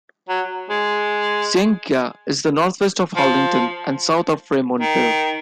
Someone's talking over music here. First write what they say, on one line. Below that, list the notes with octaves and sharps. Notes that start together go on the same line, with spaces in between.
Yznaga is northwest of Harlingen and south of Raymondville.
F#3
G#3
F3
D#3